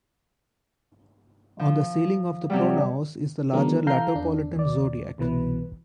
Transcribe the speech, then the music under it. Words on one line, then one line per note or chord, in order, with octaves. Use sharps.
On the ceiling of the pronaos is the larger Latopolitan Zodiac.
F3
C3 F#3 G3
D#3 F#3 G#3 B3 D4 A#4
E3 A4 F5 A#5 G6 C7
E2 D4
D#2 D5
C2 B2 E3 B4